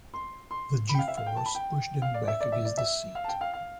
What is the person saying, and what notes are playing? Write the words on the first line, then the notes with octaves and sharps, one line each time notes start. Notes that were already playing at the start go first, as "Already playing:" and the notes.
The G-force pushed him back against the seat.
C6
C6
B5
G5
F5
E5
F5
G5
A5
B5
G5
F5
D5
E5
D5
E5
D5
E5
F5
A5
G5
F5
F5